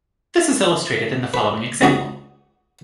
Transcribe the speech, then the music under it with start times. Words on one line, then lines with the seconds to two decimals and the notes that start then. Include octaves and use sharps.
This is illustrated in the following example.
1.34 B4
1.82 C#2 F#4 D#6